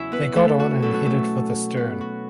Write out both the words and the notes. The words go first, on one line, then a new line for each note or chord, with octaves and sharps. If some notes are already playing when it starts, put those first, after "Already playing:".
They got on and headed for the stern.
Already playing: E2 C#3 F#3 C#4 E4 F#4 C#5 E5
B3 B4
A3 A4
F#4
B2 F#3 C#4 A4
F#4
A3 A4
B3 B4
F#4